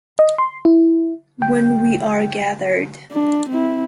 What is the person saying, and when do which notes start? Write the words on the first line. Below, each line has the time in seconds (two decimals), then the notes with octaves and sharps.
When We Are Gathered.
0.19 D#5
0.38 C6
0.65 E4
1.42 G5
3.12 D4
3.49 C4 E4